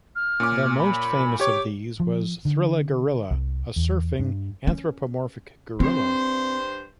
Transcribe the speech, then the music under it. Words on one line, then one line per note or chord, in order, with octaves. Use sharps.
The most famous of these was Thrilla Gorilla, a surfing anthropomorphic gorilla.
F6
A#2 C#4 D6
B5
G4 C#5 D6
F3
D3
C2
E2
G2
C#4
G2 C4 C5